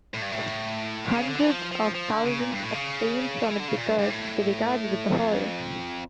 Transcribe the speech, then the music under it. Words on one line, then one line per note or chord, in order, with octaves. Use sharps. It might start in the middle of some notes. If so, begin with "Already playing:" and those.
Hundreds of thousands abstain from it because they regard it with horror.
A2
G2
A2
A#2
C#3
D3
E3
F3
F3
F3
D3
C#3
A#2
G2
A2
C#3
F3
E3
D3
C#3
A#2
G2
G2
A2
F2